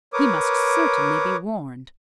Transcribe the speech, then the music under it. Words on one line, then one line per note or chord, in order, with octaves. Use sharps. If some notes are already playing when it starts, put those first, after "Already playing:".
He must certainly be warned.
A#4 B4 C#5 D6 D#6